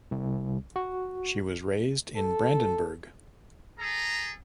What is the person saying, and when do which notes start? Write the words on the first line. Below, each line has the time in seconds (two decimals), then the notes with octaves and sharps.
She was raised in Brandenburg.
0.11 C2
0.76 F#4
2.16 A4
3.79 G#4 A4 A#5